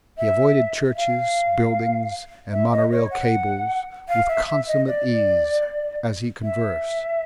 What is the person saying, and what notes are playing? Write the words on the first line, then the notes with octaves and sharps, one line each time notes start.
He avoided churches, buildings, and mono-rail cables with consummate ease as he conversed.
E5
F5
E5
D#5
C#5
F#5
F5
E5
E5
D#5
D5
E5